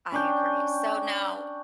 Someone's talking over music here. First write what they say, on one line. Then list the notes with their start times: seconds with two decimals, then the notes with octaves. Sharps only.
I agree. So now,
0.12 C#4 D4 G5